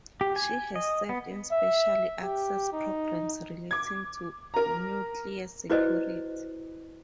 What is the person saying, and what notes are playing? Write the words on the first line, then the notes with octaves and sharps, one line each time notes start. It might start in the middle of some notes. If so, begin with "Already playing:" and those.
She has served in special access programs relating to nuclear security.
G4
G#5
D#5
B3
E5
G4
D#4
D6 G#6
A#4 A#5
E4 F#4 B4 C5 D5 D#5